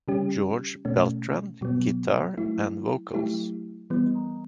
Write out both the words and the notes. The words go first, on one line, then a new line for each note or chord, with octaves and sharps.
Jorge Beltran: Guitar and Vocals.
C#3 G3 C#4 G4
B2 A3 C#4
B2 F#3 B3
F#3 A3 E4
F#3 A3 E4 G4
E3 G3 B3